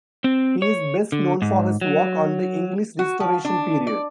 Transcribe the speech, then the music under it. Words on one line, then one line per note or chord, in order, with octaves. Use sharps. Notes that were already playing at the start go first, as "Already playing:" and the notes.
He is best known for his work on the English Restoration period.
C4
C#5
D3
G#2
F#3
F#4
F3
D4
D5